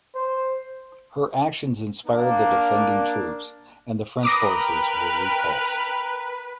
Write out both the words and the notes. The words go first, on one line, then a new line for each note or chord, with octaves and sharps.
Her actions inspired the defending troops and the French forces were repulsed.
C5
A#3 D4
A#4 B4 G5 D6 D#6 F6 F#6 A#6